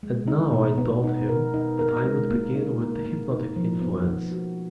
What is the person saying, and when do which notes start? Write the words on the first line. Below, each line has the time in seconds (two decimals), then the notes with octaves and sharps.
And now I told him that I would begin with the hypnotic influence.
0.03 G#3
0.28 D#4
0.53 B2
0.78 B3
1.04 D#4
1.29 A#4
1.54 D#4
1.79 A#4
2.05 G#3
2.30 A#3
2.55 D#4
2.80 A#4
3.06 A#3
3.31 D#4
3.56 F3
3.81 B3
4.07 D#4
4.32 F#4